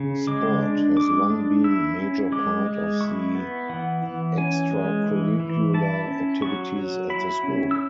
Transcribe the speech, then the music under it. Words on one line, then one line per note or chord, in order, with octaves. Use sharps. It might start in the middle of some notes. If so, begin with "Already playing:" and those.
Sport has long been major part of the extracurricular activities at the school.
Already playing: C#3
G#3 D6
D4
G#3 D6
D4
E4 E6
C#4
G#3 D6
G#3
E4 C#6
B3
E3 F#5
E3
C#4 G#5
G#3
E3
E3
E4 A5
C#4
F#3 C#6
F#3
E4 B5
C#4
E6